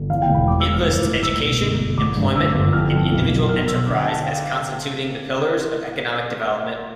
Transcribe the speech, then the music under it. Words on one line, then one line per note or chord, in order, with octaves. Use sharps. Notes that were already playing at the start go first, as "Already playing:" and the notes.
It lists education, employment and individual enterprise as constituting the pillars of economic development.
Already playing: G1
E2 F5
G5
E1
B5
F1 D6
E6
E3
F6
G2
A1
C2 E6
B2
G1
G1
A1 D6
G2
D3 E6
G1
F2 F6
F2
B1
B1
B2 F6
B2 E6
D3 D6
G5
D3 A5
G5
F5